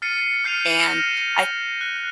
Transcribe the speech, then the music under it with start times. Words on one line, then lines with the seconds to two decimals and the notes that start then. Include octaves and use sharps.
And I
0.02 F6 A6 C7 C#7 D#7
0.44 F6 G6 C7 C#7 D#7 F7
0.88 F6 A#6 E7
1.81 F#6